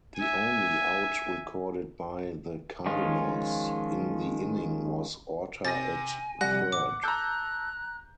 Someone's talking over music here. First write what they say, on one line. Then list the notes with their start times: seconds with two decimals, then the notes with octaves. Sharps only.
The only out recorded by the Cardinals in the inning was Orta at third.
0.17 E5 G#5
2.86 D#3 F3 G#3 C#4 F4
5.65 C3 G#5 A6 A#6
6.41 C3 F3 G3 F#5 F#6 A#6
6.72 A1 D6
7.03 A5 A#5 E6 F#6 G6